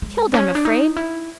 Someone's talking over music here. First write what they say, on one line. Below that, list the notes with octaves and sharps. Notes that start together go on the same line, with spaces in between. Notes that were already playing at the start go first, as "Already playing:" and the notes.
Killed, I'm afraid!
G#3
C#4
D4
D#4
E4